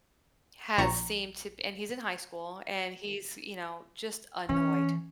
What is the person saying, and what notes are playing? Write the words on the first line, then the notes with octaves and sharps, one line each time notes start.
has seemed to and he's in high school, and he's, you know, just annoyed.
A#1 A#5 C#6
E3 C#4